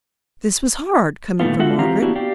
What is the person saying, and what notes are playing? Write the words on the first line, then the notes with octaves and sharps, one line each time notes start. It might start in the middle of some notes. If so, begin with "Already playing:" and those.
This was hard, coming from Margaret.
A#2 D#3 A3 B3 F4
G#3 F4 F#4 A4 E5 F#5
E3 C4 F4 G4 F5 A#5
A#3 B3 D4 E4 F#4 G4
G4 D5 F5 G5